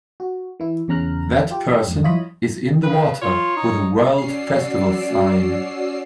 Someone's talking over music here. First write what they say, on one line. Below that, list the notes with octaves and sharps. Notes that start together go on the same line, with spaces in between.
That person is in the water with a World festival sign.
F#4
E3 E4
E2 C#3 C#4 A#5 F6 F#6
F4 G4
F2 G#2
E4 F4 C#5 D#5 B5 D#6
C#3 B4
F4 C#5
D#4
C#4 F#4 D5 E6 C7